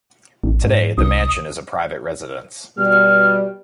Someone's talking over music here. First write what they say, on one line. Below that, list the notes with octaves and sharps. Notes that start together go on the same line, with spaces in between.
Today, the mansion is a private residence.
A1
G#2
C2 D#6
B2 G3 F6